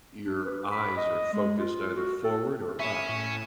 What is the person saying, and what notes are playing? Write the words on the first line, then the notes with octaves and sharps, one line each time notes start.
your eyes are focused either forward or up.
D4
B4
B5
D#5
G#3
F4
F#4
A4
C#4 E5 B5 C#6 B6 C#7 E7
A2